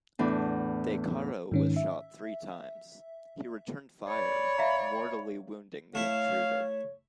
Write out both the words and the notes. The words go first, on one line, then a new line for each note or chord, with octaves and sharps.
De Caro was shot three times; he returned fire, mortally wounding the intruder.
E2 A2 D4
G#2 D#3 C#4
E5
C#5 D5 B5
E5 F5 A#5
A3 E4 C#5 F5